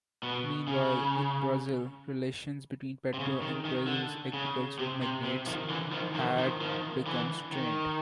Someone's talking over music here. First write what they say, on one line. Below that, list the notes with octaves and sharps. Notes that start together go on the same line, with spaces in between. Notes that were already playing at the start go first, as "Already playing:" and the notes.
Meanwhile, in Brazil, relations between Pedro and Brazil's agricultural magnates had become strained.
B2
C#3
C3
C#3
D#3
D#3
D3
C#3
C3
C3
C3
D#3 F3
D3 E3
D#3 F3
D#3 F3
D#3 F3
D#3 F3
D3 E3
D#3